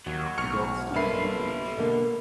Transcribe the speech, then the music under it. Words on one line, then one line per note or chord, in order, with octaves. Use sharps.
A dog standing on a beach.
D#2 F#3
B1 C#6 F6 C#7
A#3 A4 B4 E5 B5 C7
B2 D3 A#3